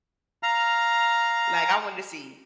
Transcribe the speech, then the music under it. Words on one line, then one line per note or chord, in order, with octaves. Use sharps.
Like, I wanted to see
F5 A#5 F6